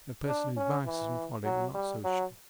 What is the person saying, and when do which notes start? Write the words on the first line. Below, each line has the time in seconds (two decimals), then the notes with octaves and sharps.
A person whose vices and follies are not sociable.
0.27 D4
0.56 C#4
0.86 E3
1.44 F#3
1.74 G3
2.04 F#3